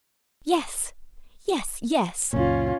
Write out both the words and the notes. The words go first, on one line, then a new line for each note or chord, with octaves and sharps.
Yes, yes, yes!
C#2 F#2 A#2 C#4 F4